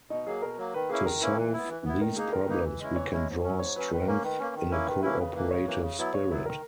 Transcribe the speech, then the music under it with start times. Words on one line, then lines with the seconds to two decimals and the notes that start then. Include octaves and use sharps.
To solve these problems, we can draw strength in a cooperative spirit.
0.10 B2 D#4
0.26 F#3 A#3 G#4
0.42 B2 A#4
0.57 F#3 A#3
0.74 D#3 B4
0.90 A#3 C#4 E4 G#4
1.06 D#3 A#4
1.21 A#3 C#4 E4 B4
1.37 E3
1.53 B3 E4
1.69 E3
1.85 B3 E4
2.01 D#3 A#4
2.16 A#3 D#4 G#4
2.33 D#3 A#4
2.48 A#3 D#4 B4
2.64 E3
2.80 G#3 C#4 E4
2.96 E3 C#5
3.12 G#3 C#4 E4
3.28 G#2
3.44 F#3 C#4
3.59 G#2 C#5
3.76 F#3 C#4 B4
3.91 D#3 B4
4.07 A#3 C#4 A#4
4.23 D#3 B4
4.39 A#3 C#4
4.55 D#3
4.71 A#3 C#4 E4
4.86 D#3 B4
5.03 A#3 C#4 E4 B4
5.18 C#3
5.35 E3 A#3
5.50 C#3 C#5
5.66 E3 A#3
5.81 C#3
5.98 F#3 B3 E4
6.14 C#3 C#5
6.30 F#3 B3 E4 B4
6.46 D#3 A#4